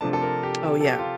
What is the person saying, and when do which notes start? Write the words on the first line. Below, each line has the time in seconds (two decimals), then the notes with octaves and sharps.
Oh, yeah.
0.01 C3 F3 A3 D4 A5
0.13 A4
0.22 A#4
0.43 G4
0.64 G4
0.80 A4
0.85 G4
0.99 F4